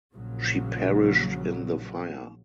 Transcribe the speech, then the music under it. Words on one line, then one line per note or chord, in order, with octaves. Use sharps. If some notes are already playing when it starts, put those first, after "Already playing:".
She perished in the fire.
A#1 A#2 C#3 F#3